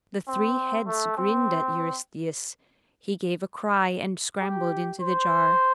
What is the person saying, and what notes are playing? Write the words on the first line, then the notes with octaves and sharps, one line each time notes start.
The three heads grinned at Eurystheus; he gave a cry and scrambled into the jar.
C4
A3
C4
G4
C5